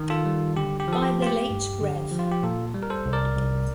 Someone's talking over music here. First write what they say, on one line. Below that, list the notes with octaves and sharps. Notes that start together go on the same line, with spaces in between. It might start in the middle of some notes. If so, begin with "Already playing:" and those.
By the late Rev.
Already playing: D#3
F4 A4
G3
D3 G4
G4
F3 A4
G4
A3 F4
G4
G2
D3
F3
F4
G4
A#2 F4 A4
G3
A#4
A4 C5
C2
A#4 D5
C2